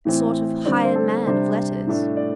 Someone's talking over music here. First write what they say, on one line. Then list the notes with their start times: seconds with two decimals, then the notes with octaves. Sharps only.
A sort of hired man of letters!
0.05 A2 E3 C4
0.65 D3 G3 C4 D5
0.85 C5
0.96 A4
1.26 C3 G3 D4 C5
1.87 A2 A3 D4
2.17 D5